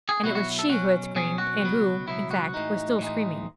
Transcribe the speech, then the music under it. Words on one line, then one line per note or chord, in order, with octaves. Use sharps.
And it was she who had screamed, and who, in fact, was still screaming.
G#4
B2 F#3 B3 E4 F#4
F#4
A4
B2 F#3 C#4 F#4
B2 F#3 C#4 G#4
F#4
C#2 B2 F#3 B3
C#2 B2 F#3 B3 E4
F#4
A2 E3 G#3 D#4
A2 E3 G#3 D#4